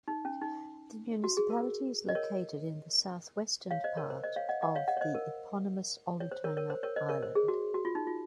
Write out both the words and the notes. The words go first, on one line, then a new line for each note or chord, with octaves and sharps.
The municipality is located in the southwestern part of the eponymous Olutanga Island.
D#4
C#4
D#4
F#4
G#4
A#4
D#5
A#4 C#5
C#5 F5
C5 D#5
A#4 C#5
C5
C5 D#5
C#5 F5
D#5 F#5
D#5 F#5
C#5 F5
D#5 F#5
C#5
C5 D#5
A#4
C#5
C5
A#4 C#5
A#4 C#5
C5
A#4 C#5
C5 D#5
A#4 C#5
C5
G#4
F#4
F#4
F4
D#4
F4